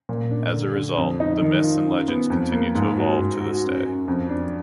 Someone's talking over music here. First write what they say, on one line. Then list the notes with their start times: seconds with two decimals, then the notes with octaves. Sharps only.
As a result, the myths and legends continue to evolve to this day.
0.09 A#2
0.31 D4
0.53 D3
0.76 D3
0.97 F2
1.20 D#4
1.41 D#3
1.64 F4
1.86 F#2
2.08 B3
2.30 F2
2.52 A#3
2.75 G#2
2.97 F#4
3.19 G#2
3.40 F#4
3.64 F#2
3.85 F#2
4.08 F2
4.29 D4